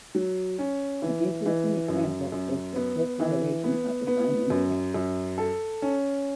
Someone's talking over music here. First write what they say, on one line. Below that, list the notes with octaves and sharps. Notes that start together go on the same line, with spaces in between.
An interesting example is the coat coloration of the Siamese cat.
F#3
C#4
E3
E3
F#2
F#2
B3
E3
B3
B3
F#2
F#2
A4
C#4